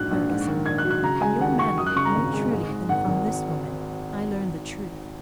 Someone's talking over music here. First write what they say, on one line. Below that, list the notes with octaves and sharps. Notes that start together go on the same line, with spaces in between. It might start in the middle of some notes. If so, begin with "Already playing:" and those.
Ferguson, from your manner more truly than from this woman, I learn the truth.
Already playing: A#1 G#2 F#3 F#6
A#1
G#2
D#3
A#1 G#6
F#6
F#3
F#6
C#3 A#5
G#3 G#5
D#2 F#5
D#2 C#6
F#2 D#6
F#6
C#3 C#6
A#5
G#1
G#3
G#2
G#3
G#1 F#5
G#1